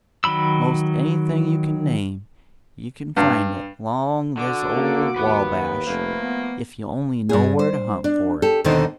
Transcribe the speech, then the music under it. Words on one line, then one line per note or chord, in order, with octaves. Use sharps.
Most anything you can name, you can find it 'long this ole Wabash, if you only know where to hunt for it.
D#3 F#3 B5 E6
G2
D3 F#4 D6
A#3
D#2 B4 F#5
F1 F3 A3 A#3
B3
G2 G#4
C5
D4
G4 A4
D#2 B2 D3 D#3 D#4 C5